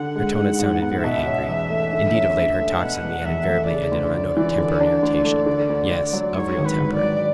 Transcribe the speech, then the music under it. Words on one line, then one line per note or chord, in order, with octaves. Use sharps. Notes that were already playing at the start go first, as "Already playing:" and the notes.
Her tone had sounded very angry. Indeed, of late her talks with me had invariably ended on a note of temper and irritation--yes, of real temper.
Already playing: D3 F#5
G#3
G#2
G#2
B3
B2 E5
C#4
E2
A3
D3
C#4
D2
A3
B2 F#5
E2
E2 E5
A3
C#3 D5
D2
D2
E3
D3
D4
D2
A3
D3
D2
D2
F#3
G#2 C#5
G#1
B4
G#1
D5
F#3